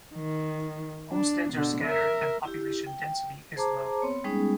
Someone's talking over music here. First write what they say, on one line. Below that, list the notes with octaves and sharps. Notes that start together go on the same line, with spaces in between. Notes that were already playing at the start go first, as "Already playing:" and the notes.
Homesteads are scattered and population density is low.
D#3
D4
B2 D3
A#4 E5
E4 G4
G5
G#4 C5 A5 A#5 D6
B3 C4 C#5
G3 G#3 B3 C#4 D#4 G#4